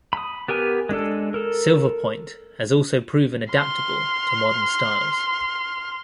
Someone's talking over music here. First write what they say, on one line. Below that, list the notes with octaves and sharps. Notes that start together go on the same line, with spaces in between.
Silverpoint has also proven adaptable to modern styles.
B5 D#6
B3 G4 A#4 G#5
G#3 D4 A4
A4 A#4
C6 F6